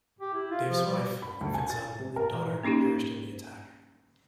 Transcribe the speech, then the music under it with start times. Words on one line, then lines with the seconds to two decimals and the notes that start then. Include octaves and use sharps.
Deif's wife, infant son, and daughter perished in the attack.
0.20 G4
0.34 E4
0.51 F4
0.68 F3
0.86 G3
1.22 B5
1.41 D2
1.54 G#5
1.70 A6
1.99 C3
2.16 A#4
2.34 E3
2.63 A#3 C#4 D#4 E4 G4